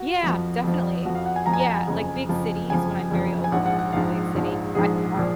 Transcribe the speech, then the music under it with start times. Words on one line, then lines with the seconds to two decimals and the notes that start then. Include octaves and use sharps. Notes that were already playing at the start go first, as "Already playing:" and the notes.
Yeah. Definitely. Yeah. Like, big cities when I'm very overwhelmed with a big city. I love
Already playing: F#4
0.23 F2 F3
0.64 F2 F3
1.05 F2 F3 F#4
1.15 F5
1.26 F#5
1.36 G#5
1.46 F2 F3 A#5
1.53 G#5
1.60 A#5
1.74 G#5
1.87 F#1 F2 F3
2.29 F#1 F2 F3
2.70 F#1 F2 F3 G#5
3.10 F#1 F2 F3
3.44 G#5
3.52 A#1 G#2 F3 F#5
3.66 F#5
3.79 F#5
3.93 A#1 G#2 F3 F5
4.35 A#1 G#2 F3
4.75 A#1 G#2 F3 G#4
5.17 A#2 F3